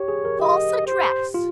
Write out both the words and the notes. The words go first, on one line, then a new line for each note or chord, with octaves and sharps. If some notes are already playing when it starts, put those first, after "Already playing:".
"False address!"
Already playing: G4 C#5
G#4
A#4
G4 D#5
C5
F4